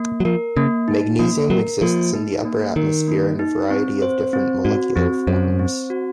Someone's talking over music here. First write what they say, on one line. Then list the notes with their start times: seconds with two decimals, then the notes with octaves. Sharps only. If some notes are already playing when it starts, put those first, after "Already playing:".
Magnesium exists in the upper atmosphere in a variety of different molecular forms.
Already playing: A#3
0.20 F#3
0.25 F3 A#4
0.57 C#3 A#3
0.88 D#4
1.19 F3 A#3
1.50 F#3 A#4
1.82 F3 A#3
2.14 D#4
2.45 A#3
2.76 D#3 A#4
3.08 A#3
3.39 D#4
3.70 C4
4.02 C5
4.33 C4
4.65 G#2 F#4
4.96 F2 C4
5.27 F#2 C5
5.59 C4
5.90 F#4